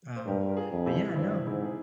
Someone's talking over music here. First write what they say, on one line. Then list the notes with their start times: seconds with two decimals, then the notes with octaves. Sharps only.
um, but, yeah, no.
0.16 C5
0.27 G2 G4 A#4
0.49 A#4
0.57 F4 G#4
0.72 F2
0.86 E4 G4
1.16 G2 C4 E4
1.46 G#2 C4 E4
1.64 G#4